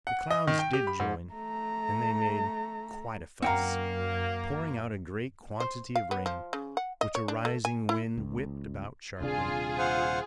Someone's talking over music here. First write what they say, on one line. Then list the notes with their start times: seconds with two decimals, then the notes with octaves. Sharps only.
The clouds did join, and they made quite a "fuss," pouring out a great quantity of rain, which a rising wind whipped about sharply.
0.07 F#5
0.31 D#5
0.47 D#3
0.59 G5
0.73 G4
0.87 B5
1.00 G#2
1.33 A3 A#5
3.42 F#2 A#3 C4 F#4 F5 G5 A#5
5.60 C5
5.96 F5
6.11 B3
6.26 F3
6.53 C#3
6.77 F#5
7.01 D#5
7.15 C#5
7.28 D4
7.45 A3
7.65 G#5
7.89 E4
8.18 C#2
9.21 D#1 C3 D4 F4 G#4
9.78 C5 F5 F#5